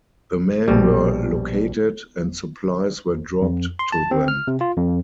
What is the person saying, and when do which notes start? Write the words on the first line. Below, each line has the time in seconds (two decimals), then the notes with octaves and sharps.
The men were located and supplies were dropped to them.
0.68 A#1 B2 G3
3.42 F2
3.79 C6
3.92 A5
4.11 C4
4.28 F6
4.47 C3
4.61 F4
4.77 F2